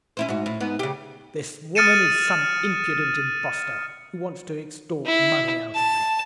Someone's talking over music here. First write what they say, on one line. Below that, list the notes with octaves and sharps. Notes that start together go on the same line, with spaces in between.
This woman is some impudent impostor, who wants to extort money out of me.
C#4 E4 C5
G#2 F#4
A2
G#2 B3
C#3 G4
D#6 F6 A6 C#7 D#7 E7
E4
A5